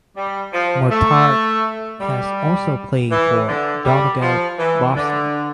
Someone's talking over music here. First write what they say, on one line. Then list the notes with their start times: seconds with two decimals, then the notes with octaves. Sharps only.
Murtagh has also played for Donegal Boston.
0.16 G3
0.53 F3
0.90 A3
2.00 G3
3.11 E3
3.48 D3
3.84 G3
4.21 F3
4.58 E3
4.96 D3